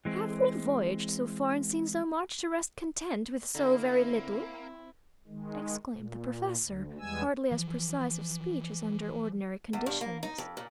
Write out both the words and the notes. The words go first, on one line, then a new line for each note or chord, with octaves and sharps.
"Have we voyaged so far and seen so much, to rest content with so very little?" exclaimed the professor, hardly as precise of speech as under ordinary conditions.
E3 G#3 C4
D3 A#3 C4 E4
D#3 G#3
A#2
D2
E2 G3 G#3 B3 G#5 E6
E3 F3
E2
G2
A#3
D#4
F2
A#2